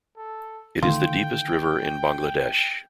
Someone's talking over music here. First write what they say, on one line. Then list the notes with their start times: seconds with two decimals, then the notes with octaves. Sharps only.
It is the deepest river in Bangladesh.
0.17 A4
0.83 D3 D#3 A3 F4 G5